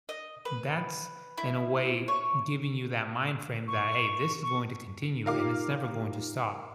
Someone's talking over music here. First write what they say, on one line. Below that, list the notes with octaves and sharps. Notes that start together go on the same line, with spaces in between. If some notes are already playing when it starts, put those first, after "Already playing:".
and that's, in a way, giving you that mind frame that, "Hey, this is going to continue and it's never going to stop,"
D#5
B4
E4
C#5
C#6
C#6
D#4 F4 G4 A#4 F5 D6